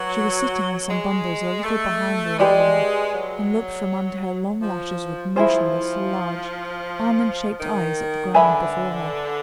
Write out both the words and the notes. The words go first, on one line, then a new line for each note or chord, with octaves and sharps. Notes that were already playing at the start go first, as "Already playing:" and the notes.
She was sitting on some bundles a little behind the old woman, and looked from under her long lashes with motionless, large, almond-shaped eyes at the ground before her.
Already playing: F#3 B4
G#3
A3
G#3 G4 B4 D5
F#3
F3
F3 E4 G#4 C5
D#3
D3 B4 E5 G#5 B5